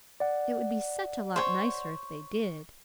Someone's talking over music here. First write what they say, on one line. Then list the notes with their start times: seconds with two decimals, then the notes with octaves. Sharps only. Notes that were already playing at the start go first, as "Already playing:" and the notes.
It would be such a lot nicer if they did!
0.20 D5 F#5
1.36 C5 C#5